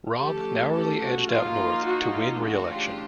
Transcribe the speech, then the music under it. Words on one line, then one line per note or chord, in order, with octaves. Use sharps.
Robb narrowly edged out North to win re-election.
F3 A3 C#4 G4 A4
G4 A4
F#4
F3 A#3 D#4 F4
F#4
F4
C#3 E3 A3 D4 F#4
F4 G4